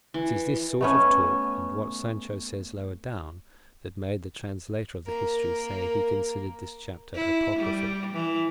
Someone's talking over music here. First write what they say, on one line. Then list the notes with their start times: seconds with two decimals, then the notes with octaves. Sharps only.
It is this sort of talk, and what Sancho says lower down, that made the translator of the history say he considered this chapter apocryphal.
0.14 E3
0.81 A3 B3 C#4
5.06 A#3 A#4
7.15 E4
7.60 G3
8.14 E3